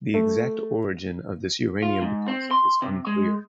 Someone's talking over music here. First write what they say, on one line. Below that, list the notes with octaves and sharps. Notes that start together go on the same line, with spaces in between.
The exact origin of this uranium deposit is unclear.
A3
F4
G#2
C4
C6
C3
G#3